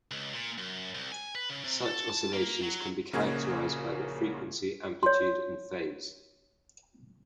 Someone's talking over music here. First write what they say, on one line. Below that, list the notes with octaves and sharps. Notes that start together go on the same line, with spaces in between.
Such oscillations can be characterized by their frequency, amplitude and phase.
C#2
A#2
F#2
C2
G#5
B4
C#3
C3
A4
A5
A#3
F#3
A#1 C#3 A#3 F#4 G#4 G#6
C#5 C6